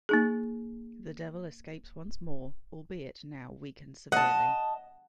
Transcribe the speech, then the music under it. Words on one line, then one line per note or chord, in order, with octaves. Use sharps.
The devil escapes once more, albeit now weakened severely.
A#3 D#4 G#4
D#5 F#5 A5